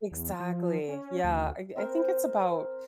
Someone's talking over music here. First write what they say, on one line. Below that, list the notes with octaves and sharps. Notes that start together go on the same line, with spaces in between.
Exactly, yeah, I I think it's about
E2
F3
C#4
D2
C4 A#4 C5